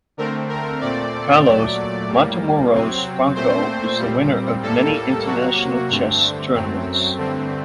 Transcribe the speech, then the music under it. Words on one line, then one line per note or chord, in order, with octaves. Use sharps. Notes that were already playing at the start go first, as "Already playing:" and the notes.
Carlos Matamoros Franco is the winner of many international chess tournaments.
D3 A3 C4 A#4
A#4
A#2 A3 C4 D5
A#2 F#3 A3 D5
A2 G3 A#3
C3 F#3 C4
A#2 A3 C4 C5
A#2 G3 C4
A2 G3 A#3 A4
C3 F#3 A#3 F#4
G2 D3 A3 C4
F#2 F#3 A3 C4
G2 D3 A3 C4